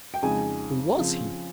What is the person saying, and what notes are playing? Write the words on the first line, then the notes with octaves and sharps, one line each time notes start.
Who was he?
G5
F2 C#3 G#3 D#4 G#5
C#3 F3 C4